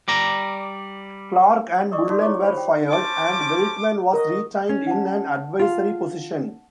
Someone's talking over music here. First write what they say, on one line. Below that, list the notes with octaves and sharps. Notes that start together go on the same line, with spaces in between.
Clark and Bullen were fired, and Veltman was retained in an advisory position.
G3 D5 A#5
A#4 D5 D#5 C#6 D6
D#4 F4 F#4 A4 D5
D#4 E4 C#5 C#6 D6
G4 C5 C#5 F5 B5
C5 G5
C#4 C5 A5 D6
F#4 A#4 D#5
C#4
F#5 A5
F4 F5